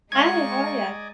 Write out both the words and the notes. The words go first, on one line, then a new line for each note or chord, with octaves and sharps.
Hi. How are ya?
G#3 D#4 D5 D#5 F5 G#5 C#6 G#6